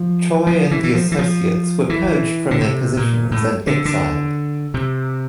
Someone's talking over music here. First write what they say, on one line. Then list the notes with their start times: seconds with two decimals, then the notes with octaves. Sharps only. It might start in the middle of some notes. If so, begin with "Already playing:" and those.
Choe and the associates were purged from their positions and exiled.
Already playing: F3
0.47 F3
0.71 E3
0.84 E3
0.95 F3
1.12 E3
1.19 F3
1.90 E3
2.51 D3
2.61 C3
2.97 A#2
3.31 A2
3.67 D3
3.85 D3
4.74 C3